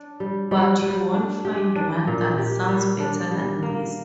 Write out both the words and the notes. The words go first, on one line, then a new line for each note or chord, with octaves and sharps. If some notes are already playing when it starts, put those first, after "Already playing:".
But you won’t find one that sounds better than this.
Already playing: D4
G3
G3
G3
D4
G4
D4
A#2
G4
G3
D4
G3
A#3